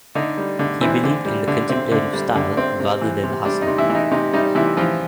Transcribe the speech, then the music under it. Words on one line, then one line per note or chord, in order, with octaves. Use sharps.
He believed in the contemplative style rather than the hustling.
D3 D#4
G3
D3
E3 C4 E4
D3
G3
D3
C4
D3
G3 D4
D3
C4
C3
E3
C3
G3 D4
D#4
C3
E3 E4
E3
D#4
C3 D#4
G3 D#4
C3 E3 E4
E3 F3 F4